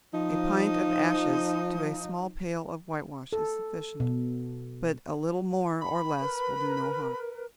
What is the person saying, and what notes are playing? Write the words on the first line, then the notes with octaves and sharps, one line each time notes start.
A pint of ashes to a small pail of whitewash is sufficient, but a little more or less will do no harm.
F3 D#4
A4
B2
B5
A#4 B4